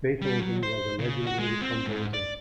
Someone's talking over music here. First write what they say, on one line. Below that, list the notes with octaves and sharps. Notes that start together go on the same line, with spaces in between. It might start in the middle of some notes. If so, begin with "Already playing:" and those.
Beethoven was a legendary composer.
G3
F#3
C5
C#3
F#4
G#3
C4
G#2
D5